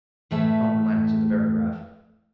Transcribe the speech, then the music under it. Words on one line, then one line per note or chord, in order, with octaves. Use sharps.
Tom glanced at the barograph.
A2 E3 A3 B4 E5